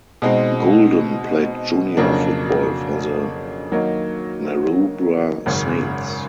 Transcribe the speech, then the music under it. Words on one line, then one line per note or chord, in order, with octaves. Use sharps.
Gulden played junior football for the Maroubra Saints.
B2 G#3 C4 D#4
F2 C#3 F#3 A#3 D4
D#3 F#3 A#3 D#4
G#1 F#2 C#3